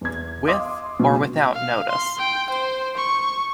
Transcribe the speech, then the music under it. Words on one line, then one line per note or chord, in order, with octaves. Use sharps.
With or without notice.
E2 G#6
D#5 F5 C6 D6 D#6
B2
F5
C6
G5
C5
C#6